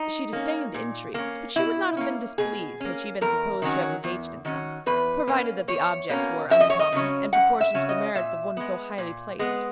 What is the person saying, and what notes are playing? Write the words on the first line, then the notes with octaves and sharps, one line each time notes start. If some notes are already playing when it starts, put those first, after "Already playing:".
She disdained intrigues; but she would not have been displeased had she been supposed to have engaged in some, provided that the objects were uncommon, and proportioned to the merits of one so highly placed.
Already playing: D#4
A#3 C#4
A#2
A#3 C#4
B2 E4
A#3 C#4
B2 G#4
A#3 C#4
E2 A#4
D#3 F#3 C#4
E2
D#3 F#3 C#4
E2 B4
B2 A#3 C#4
E2 C#5
B2 A#3 C#4
F#2 E5
D#5
C#5
D#5
C#3 F#3 C#4
F#2 F#5
E5
C#3 F#3 C#4
D#5
A#2 E5
G#3 B3
A#2
G#3 B3